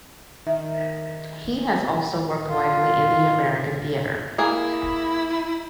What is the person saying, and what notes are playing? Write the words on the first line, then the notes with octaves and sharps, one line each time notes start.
He has also worked widely in the American theatre.
D#3 E5
F4
A#3 E4 G#4